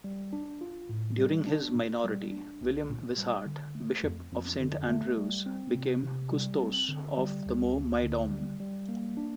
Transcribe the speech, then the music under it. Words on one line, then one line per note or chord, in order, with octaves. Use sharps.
During his minority, William Wishart, Bishop of Saint Andrews, became "custos" of the Mormaerdom.
G3
D4
F4
A2
G3
D4
A#2
G3
D4
C2
A#2
G3
D3
A3
F2
F2
D3
A3
G3
C4
C3
C3
G3
C4
D3
G3
D2
D2
D3
G3
G3
A#3
D4